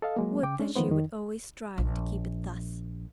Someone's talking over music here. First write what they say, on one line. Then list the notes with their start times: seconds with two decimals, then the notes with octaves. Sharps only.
Would that she would always strive to keep it thus.
0.02 A4 D#5 F5
0.16 F#3 G#3 A#3
0.43 C#3 G5 D6
0.59 G#3 C#4 D4
0.76 D#3 F3 A3 B3 C5
0.88 F2 D#3
1.78 A#1